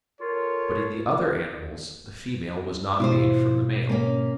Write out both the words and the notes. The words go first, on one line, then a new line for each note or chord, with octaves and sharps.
But in the other animals the female was not made from the male.
F4 A4 A#4 C#5
G#2 B2 E4 F4 C5
A#3 C#4